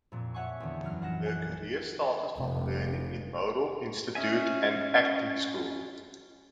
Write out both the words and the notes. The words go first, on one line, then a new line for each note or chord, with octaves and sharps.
Her career started from learning in Model Institute and Acting School.
F2 A#2
C#5 E5 F#5 G#5 C#6
E2 D3
F#2 E3 F#3 F6
A#1 F#5 A#6 E7
G#5 F#6
F1
C#4 D#5 E5 G#5